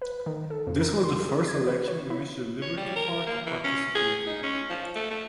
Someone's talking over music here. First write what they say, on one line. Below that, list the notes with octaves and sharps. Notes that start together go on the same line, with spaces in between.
This was the first election in which the Liberty Party participated.
B4
D#3
A4
F2
A#4
C6
G#4
G#6
B4
C#5
E4
C#5
G3
A#4
A#3
E3
C#4
G#4
D#4
C#4
F3
A3
A3